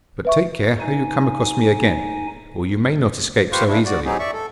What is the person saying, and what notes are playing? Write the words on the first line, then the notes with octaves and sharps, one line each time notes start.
But take care how you come across me again, or you may not escape so easily!'
B4 E5 C#6
D#4 G#5
F4 G4 B4 C5 F5 C#6
C#3 D4 E4
F#4 D5
F#3 B3 C4 D#4 G4 G#4
D5 E5 C#6
A4